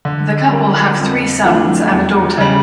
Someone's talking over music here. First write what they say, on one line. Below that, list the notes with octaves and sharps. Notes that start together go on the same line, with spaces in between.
The couple have three sons and a daughter.
D3
G3 A#3
F2
E3 A3 D4
E2
C#3 G3